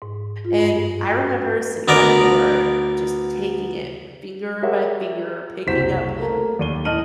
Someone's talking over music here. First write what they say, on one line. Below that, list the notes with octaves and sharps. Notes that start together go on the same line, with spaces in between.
and I remember sitting by the door, just taking it finger by finger, picking up
G#2
F4
G2
F#4
B4
D2 B3 A#4 D5
G4 G#4 A#4 C#5 E5 F#5
F#1 C2 F#4 C5 B6 E7
A3 A#3
D#2 D5 D#7 G7
A2 D#5 A5 F6 D#7 F#7